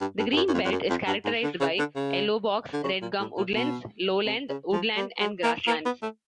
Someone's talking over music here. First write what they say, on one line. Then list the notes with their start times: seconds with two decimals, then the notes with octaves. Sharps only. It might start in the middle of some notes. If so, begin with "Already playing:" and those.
The green belt is characterised by Yellow Box-Red Gum Woodlands, lowland woodland and grasslands.
0.01 G2
0.19 G2
0.32 G2
0.36 F#2
0.48 F#2
0.54 F2
0.65 F2
0.72 F#2
0.90 F2
1.07 G2
1.25 G#2
1.43 D3
1.61 C#3
1.79 D3
1.96 C#3
2.73 D3
2.84 C#3
3.02 A#2
3.20 A2
3.38 A#2
3.55 B2
4.26 C3
4.49 C#3
4.73 F3
4.97 G3
5.20 G#3
5.44 A#3
5.67 A#3
5.85 B3
6.02 A3